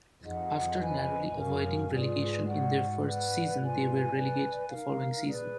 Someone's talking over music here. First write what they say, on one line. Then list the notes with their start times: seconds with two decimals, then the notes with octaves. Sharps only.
After narrowly avoiding relegation in their first season, they were relegated the following season.
0.22 F2 D#4 G#4 D#5 F#5
0.79 B4 D#5 G#5
1.34 F#2 F#4 A#4 F5 G#5
1.90 G#2 F4 G#4 B4 D5
2.46 F#4 D5 F#5
3.02 B4 D5 F#5
3.57 G#2 F4 B4 D5 G#5
4.13 B4 D5 G#5
4.70 D#4 A#4 F5
5.25 A#2 G#4 B4 D5